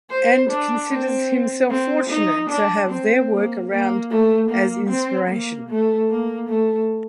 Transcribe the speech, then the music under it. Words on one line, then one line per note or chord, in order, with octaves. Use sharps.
And considers himself fortunate to have their work around as inspiration.
C5
D4
C4
C4
D#4
D4
C4
A#3
A#3
A3
A#3
C4
A#3
A3
A#3
A3